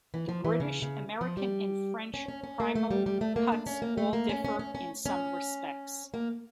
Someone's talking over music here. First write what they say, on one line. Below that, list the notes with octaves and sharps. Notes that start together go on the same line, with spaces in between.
The British, American and French primal cuts all differ in some respects.
E3
F3
E3
C#3
C#3
F3
G3
C#4
C#4
C#4
A#3
A3
G3
G3
A3
A#3
D4
C#4
A#3
A3
A#3
C#4
C#4
C#4
C#4
C#4
A#3